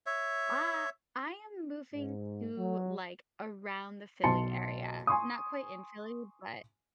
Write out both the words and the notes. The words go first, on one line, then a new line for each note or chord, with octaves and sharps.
I I am moving to, like, around the Philly area. Not quite in Philly, but,
C#5 E5
G#2
F#3
B1 A5 C6 C#7
G#5 C6 C#6 D#6